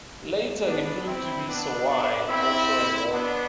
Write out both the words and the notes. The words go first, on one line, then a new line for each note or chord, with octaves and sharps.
Later he proved to be "Sawai" also in warfare.
B3 D4
C4 E4
B3 D4
B3 D4
C4 E4
B3 D4